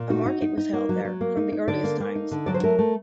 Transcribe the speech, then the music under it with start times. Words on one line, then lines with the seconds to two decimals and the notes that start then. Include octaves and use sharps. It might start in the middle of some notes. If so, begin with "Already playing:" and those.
A market was held there from the earliest times.
Already playing: A#2
0.10 D#4 F#4
0.26 D#4
0.42 D#4
0.58 D#4
0.73 A#3
0.89 F#3
1.05 F#3
1.21 A#3
1.37 D#4
1.52 D#4
1.68 D3 D5
1.84 A#3
2.00 A#3
2.15 D#4
2.31 D3
2.46 F#3 D5
2.54 C5
2.64 A3 A#4
2.79 A3